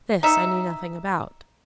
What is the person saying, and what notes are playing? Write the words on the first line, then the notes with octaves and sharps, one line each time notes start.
This I knew nothing about.
D#4 E5